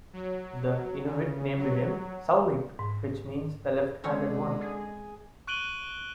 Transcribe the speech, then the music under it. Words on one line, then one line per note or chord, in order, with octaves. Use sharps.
The Inuit named him "Saumik," which means "the left-handed one".
F#3
C#3
F#3
G#2
D3 G#3 C4 C#4 C#5
G#4
C#6 F#6 D7 D#7 F#7 G7